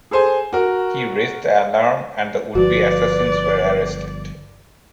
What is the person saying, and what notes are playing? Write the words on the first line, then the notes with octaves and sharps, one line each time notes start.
He raised the alarm and the would-be assassins were arrested.
G#4 A4 C5 G#5
F#4 A#4
G1 F3 F#4 B4 D5